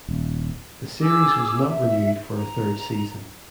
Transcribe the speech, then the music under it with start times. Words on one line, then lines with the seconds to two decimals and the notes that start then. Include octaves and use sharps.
The series was not renewed for a third season.
0.09 D#1
1.01 G#4 D6 E6
1.62 E5
2.34 A#5